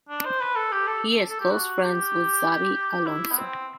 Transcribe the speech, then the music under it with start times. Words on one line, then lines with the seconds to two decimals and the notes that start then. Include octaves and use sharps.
He is close friends with Xabi Alonso.
0.09 D4
0.25 C5
0.40 B4
0.56 A4
0.72 G4
0.87 A4
1.30 A4
1.40 G4
1.50 F#4
1.82 G4
3.06 E4
3.31 B3
3.38 C4